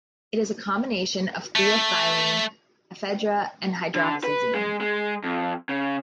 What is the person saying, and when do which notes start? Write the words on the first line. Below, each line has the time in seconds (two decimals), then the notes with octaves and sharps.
It is a combination of theophylline, ephedra, and hydroxyzine.
1.56 A3
3.95 D3
4.24 B4
4.54 G#3
4.81 G#3
5.23 F2
5.69 C#3